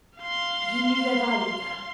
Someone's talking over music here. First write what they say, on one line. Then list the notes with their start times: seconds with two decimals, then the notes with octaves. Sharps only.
"He knew their value, then?"
0.19 F5 C6